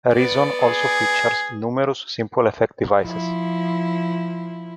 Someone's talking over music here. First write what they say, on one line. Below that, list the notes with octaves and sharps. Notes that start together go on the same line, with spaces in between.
Reason also features numerous simple effect devices.
B3 D5
G#4
F3 E4